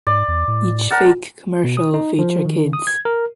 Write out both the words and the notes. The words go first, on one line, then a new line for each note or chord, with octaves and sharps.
Each fake commercial feature kids.
G#2 D5
E2
A2
A#4 F#5 A5
B2
D#6
D#4
F3
D#3
D#6
G#6
A#4